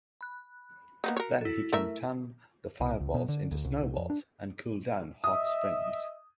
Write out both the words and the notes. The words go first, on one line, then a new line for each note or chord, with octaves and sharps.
Then he can turn the fireballs into snowballs and cool down hot springs.
B5 F#6
A#3 B3 D#4
F#4 A#4 C#5
E4 A4
A3 A#4 E5
C2
C#2
B2
D3
D2
C2
C2
F2
D4
D#5 E5 D#6